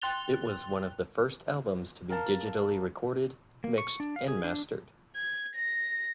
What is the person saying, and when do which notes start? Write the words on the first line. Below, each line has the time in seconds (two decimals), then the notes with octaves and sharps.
It was one of the first albums to be digitally recorded, mixed, and mastered.
0.02 G5 C6 F#6 A6 F7 G7
2.09 A#4 F5 A5
3.64 A#3
3.78 C#6
4.00 D4
4.16 F5
4.28 G#4
4.44 D4
5.16 G#6
5.55 A#6